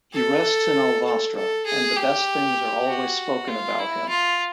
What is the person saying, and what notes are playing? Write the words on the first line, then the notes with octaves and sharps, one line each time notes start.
He rests in Alvastra, and the best things are always spoken about him.
A4
A4
A4
G#4
G4
F#4
F4
E4
F4